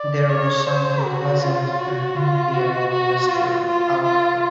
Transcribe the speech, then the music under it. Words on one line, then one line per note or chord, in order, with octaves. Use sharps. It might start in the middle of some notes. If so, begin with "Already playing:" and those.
There was something pleasant and homely about Mr. Outwood.
Already playing: D5
C#5
C5
F#4
F4
F#4
F4
F#4
F#4
F4
F4
F4